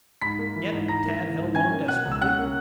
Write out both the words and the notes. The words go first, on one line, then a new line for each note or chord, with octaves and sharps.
Yet Tad held on desperately.
G#2 B5 B6
A#3
E3
G#2
G#2 A#5 A#6
A#3
E3
G#2
C#4 G#5 G#6
A#3
B2 F#5 F#6
C#2
E6
C#4 F#5 F#6
A#3